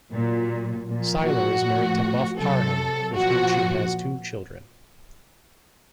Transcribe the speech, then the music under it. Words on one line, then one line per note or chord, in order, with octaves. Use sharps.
Syler is married to Buff Parham, with whom she has two children.
A#2 F#3
A#2 F3
F#4
A2 F3
C3 F#3 A4
A#2 F3 F#4